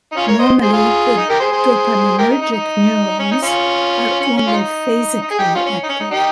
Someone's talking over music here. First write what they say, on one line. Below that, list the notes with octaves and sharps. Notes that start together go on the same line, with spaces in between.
Normally, the dopaminergic neurons are only phasically active.
D#4
C#4 F4
A#4 C#5
C5 D#5
G#4 C5
F4 G#4
D#4
G4 A#4
G#4 C5
G#4 C5
G4 A#4
D#4
D#4
D#4
C#4
D#4
C#4 F4
C#4
C#4
F4
D#4
D#4
G#4
D#4 G4
C#4 F4
C#4
D#4
C#4
D#4
D#4 G4